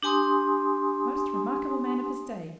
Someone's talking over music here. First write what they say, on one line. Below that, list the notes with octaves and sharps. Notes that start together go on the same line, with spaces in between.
Most remarkable man of his day.
D4 G4 G#5 C6 D#6